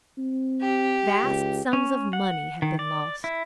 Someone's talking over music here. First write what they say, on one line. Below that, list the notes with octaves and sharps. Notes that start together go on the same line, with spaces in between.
Vast sums of money have been lost.
C4
G4
C#2
C#4
F#5
D#3
D5
E4